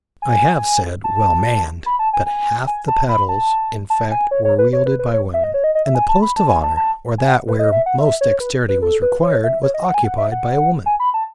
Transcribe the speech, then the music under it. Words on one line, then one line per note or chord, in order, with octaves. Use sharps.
I have said well-manned, but half the paddles, in fact, were wielded by women, and the post of honor, or that where most dexterity was required, was occupied by a woman.
G#5
A5
B5
A5
G#5
G#5
G#5
A5
B5
A5
A5
G#5
C#5
C#5
B4
C#5
B4
B4
C#5
E5
D#5
C#5
D#5
D#5
E5
G#5
A5
B5
A5
G#5
A5
A5
G#5
F#5
B4
D#5
E5
F#5
E5
C#5
B4
B4
A4
B4
C#5
E5
C#5
D#5
F#5
G#5
F#5
E5
F#5
G#5
B5
A5